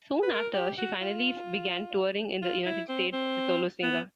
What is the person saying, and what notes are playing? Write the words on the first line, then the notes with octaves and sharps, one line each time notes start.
Soon after, she finally began touring in the United States as a solo singer.
B4
A#4
G4
F#4
F4
F4
E4
C4
C4
B3